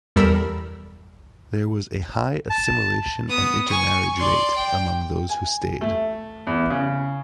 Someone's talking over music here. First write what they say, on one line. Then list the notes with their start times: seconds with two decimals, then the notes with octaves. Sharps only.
There was a high assimilation and intermarriage rate among those who stayed.
0.16 E2 G3 A4 A#4 B5 E6
2.50 A5
3.28 B3 D#6
3.68 G#5 C#6
4.17 D5 C6
4.55 G5
5.29 G#5
5.81 A3
6.47 E2
6.70 C#3